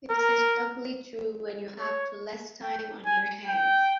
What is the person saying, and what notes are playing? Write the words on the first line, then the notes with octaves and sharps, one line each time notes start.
This is doubly true when you have to less time on your hands.
A#4
C#5
G5
G#5
G5